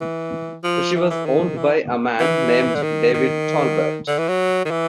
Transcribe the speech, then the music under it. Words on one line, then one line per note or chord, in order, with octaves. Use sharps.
She was owned by a man named David Tolbert.
E3
F3
E3
E3
D#3
E3
E3
D3
D#3
D#3
D3
E3
F#3
D#3
E3